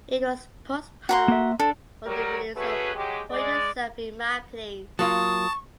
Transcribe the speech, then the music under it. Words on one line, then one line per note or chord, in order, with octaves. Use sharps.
It was postponed for the release of "Put Yourself in My Place".
F#4 A#5 C6
A#3 E5
D4 A4
F#3 G3 A#4
A3 C#4 F#4 G#4 B4
F#3 G#3 G4
G#3 D5
F#3 A#3 F4 A5 C#6 D#6